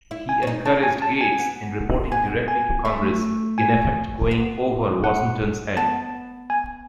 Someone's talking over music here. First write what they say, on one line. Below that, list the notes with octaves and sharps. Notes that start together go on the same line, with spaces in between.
He encouraged Gates in reporting directly to Congress, in effect going over Washington's head.
E4
G#5
C#4
D#4
C#4 A5
G#5
A5
G#5
B3
B3 G#5
G#5
A3
G#5
B3
F#5
B3 A5
G#5